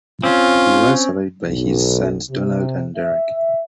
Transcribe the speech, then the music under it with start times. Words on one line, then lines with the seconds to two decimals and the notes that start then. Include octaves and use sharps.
He was survived by his sons Donald and Derek.
0.23 C4 C#4 F4
1.47 B1
2.30 C3
2.97 E5